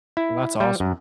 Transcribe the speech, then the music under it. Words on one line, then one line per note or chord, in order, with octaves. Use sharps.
That's awesome.
E4
G3
F#2